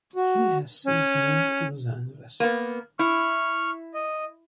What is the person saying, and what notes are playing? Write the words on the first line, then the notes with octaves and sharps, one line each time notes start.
He has since moved to Los Angeles.
F#4
C#4
A#3 B3
E4 C#6 F6
D#5